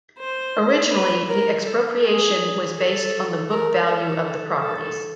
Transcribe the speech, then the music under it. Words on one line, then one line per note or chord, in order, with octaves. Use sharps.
Originally, the expropriation was based on the book value of the properties.
C5
B4
A#4
A4
G#4
A4
A#4
A4
A4